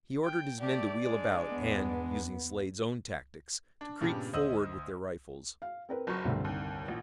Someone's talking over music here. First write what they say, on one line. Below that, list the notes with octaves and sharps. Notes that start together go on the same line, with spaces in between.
He ordered his men to wheel about, and, using Slade's own tactics, to creep forward with their rifles.
G5
A3 G4 D5
G#3 D4
E2 B3
D4
G2 A#2 C#3 B3 D4 G4
D2 C5 D#5 D#6 E6 F#7
F5
C4 A#4 B4
F#1 F#3 C#6
C2 G2 D3 G3 A3 C4
D#2
A1 A#2